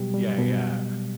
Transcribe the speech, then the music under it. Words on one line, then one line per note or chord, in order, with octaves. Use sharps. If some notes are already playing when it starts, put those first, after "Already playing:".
Yeah, yeah,
Already playing: B2 F#3 G3 G4
G3
B2